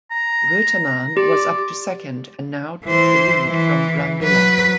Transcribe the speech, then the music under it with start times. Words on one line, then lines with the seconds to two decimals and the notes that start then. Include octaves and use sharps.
Reutemann was up to second, and now took the lead from Brambilla.
0.11 A#5
1.17 G4 D5
2.85 E3 C5
3.48 E3
4.22 F#3 B4